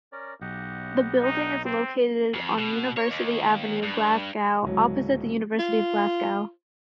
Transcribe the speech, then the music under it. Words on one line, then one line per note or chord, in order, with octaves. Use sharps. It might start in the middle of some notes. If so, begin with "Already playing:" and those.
The building is located on University Avenue, Glasgow, opposite the University of Glasgow.
C#4 A#4 D5
B1 G4 D#5 F#5
D#4
C4
F2
B2
C#5
D#2
G2
D1 C#2 F#3
F4